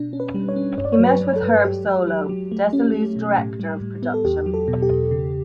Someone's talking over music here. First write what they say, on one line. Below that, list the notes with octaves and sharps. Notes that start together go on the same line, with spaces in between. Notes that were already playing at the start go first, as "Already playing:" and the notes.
He met with Herb Solow, Desilu's Director of Production.
Already playing: B2 D4
C#4
B4
G3
C#5
C#4
G2 C#5
D5
C#5
F#3
B4
F#3
A4
G2
F#3 G4
F#3
F#3
F#3
A3
C#4
A3
B2
A2
G3
A2
B3
A4
E2 G4
F#3
A4
B2
G4
E2
C#3